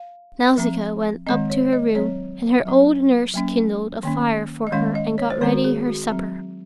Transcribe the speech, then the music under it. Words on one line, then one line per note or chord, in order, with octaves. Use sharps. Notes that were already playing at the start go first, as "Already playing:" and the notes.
Nausicaa went up to her room, and her old nurse kindled a fire for her and got ready her supper.
Already playing: F5
F3 C4
D#3 G#3 C4 D#5
C#5
D#5
F#3 C4 C#5
F#3 C4
F#3 A#3 C#4
D#3 A#3 C#4
D#5
D#3 G#3 C#4 F5
D#5
C#5
C5
D#3 G#3 C4 A#4
F#4
G#4
F#4
F#3 C4